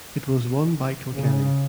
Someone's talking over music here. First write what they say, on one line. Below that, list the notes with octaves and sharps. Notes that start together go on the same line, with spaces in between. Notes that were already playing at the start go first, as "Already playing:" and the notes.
It was won by Kilkenny.
C#3